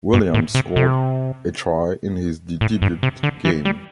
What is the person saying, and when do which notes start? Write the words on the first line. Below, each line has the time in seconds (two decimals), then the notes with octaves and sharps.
Williams scored a try in his debut game.
0.13 G2
0.34 A2
0.55 C3
0.76 C3
2.61 A2
2.82 G2
3.03 C3
3.23 D3
3.45 E3
3.65 G3